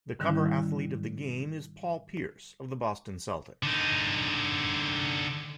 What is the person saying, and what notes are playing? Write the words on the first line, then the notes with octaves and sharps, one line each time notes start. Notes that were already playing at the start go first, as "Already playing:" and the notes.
The cover athlete of the game is Paul Pierce of the Boston Celtics.
G#2 D3 D#3 G3 C#4 E4
D3 D#4